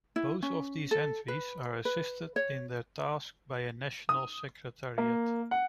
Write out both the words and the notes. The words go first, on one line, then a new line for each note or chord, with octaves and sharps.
Both of these entities are assisted in their tasks by a national secretariat.
E4
C#4
A4
B4
B4
C#5
D#6
A#3
F#5